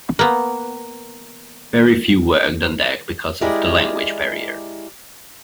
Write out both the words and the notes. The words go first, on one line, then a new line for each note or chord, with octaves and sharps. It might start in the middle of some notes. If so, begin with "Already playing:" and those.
Very few worked on deck because of the language barrier.
A#3 B3
G#3 E4 G4 G#4 A#4 D5